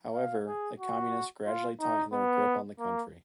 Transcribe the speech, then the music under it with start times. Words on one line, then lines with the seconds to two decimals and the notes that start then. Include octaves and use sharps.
However, the Communists gradually tightened their grip on the country.
0.14 F5
0.47 G#4
0.80 F#4
1.47 F4
1.80 D#4
2.12 B3
2.79 A#3